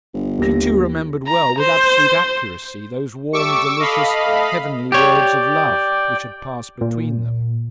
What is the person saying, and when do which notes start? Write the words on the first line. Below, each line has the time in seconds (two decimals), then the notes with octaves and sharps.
She too remembered well, with absolute accuracy, those warm, delicious, heavenly words of love which had passed between them.
0.14 G1
0.38 D#2 G4 A#6
1.27 A#5
1.59 C5
3.33 G3 A3 G4 C#6 D6 E6
3.80 A4 D#5 F5 B5
4.27 A3
4.92 G4 C#5 D5 G5
6.81 A#2